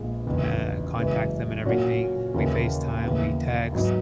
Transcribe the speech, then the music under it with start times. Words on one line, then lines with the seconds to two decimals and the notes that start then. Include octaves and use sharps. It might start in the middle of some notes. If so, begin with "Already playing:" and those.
eh, contact them and everything we FaceTime, we text.
Already playing: A#1 A#2 G#3 B3
0.26 F#1 E2 D#3
0.95 F#1 F#2 E3 G#3
1.65 A#2 A#3 C#4 F#4 C#5
2.34 D#2 C#3 E3 A#3 C#4
3.04 D#2 C#3 E3 B3
3.72 G#2 F#3 B3 D#4